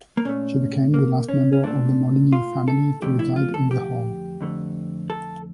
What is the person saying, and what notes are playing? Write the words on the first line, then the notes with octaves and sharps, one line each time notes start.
She became the last member of the Molyneux family to reside in the hall.
A#3
A#2 A3 C#4
A#3
C#4
C#4
A#2 A3 D4
F4
A4
F2 D3 A3 G4
E4
F4
A4
G4
F2 D3 A3
A4